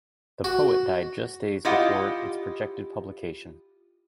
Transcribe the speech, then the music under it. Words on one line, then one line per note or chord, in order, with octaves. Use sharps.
The poet died just days before its projected publication.
F#4
E4 F4 G4 D#5 F5 F#5